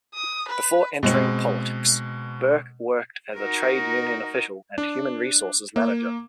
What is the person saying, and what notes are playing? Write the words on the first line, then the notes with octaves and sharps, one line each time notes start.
Before entering politics, Burke worked as a trade union official and human resources manager.
D#6
B4
B2 G#3 C4
D#4 F#4 A#4
D4
A#3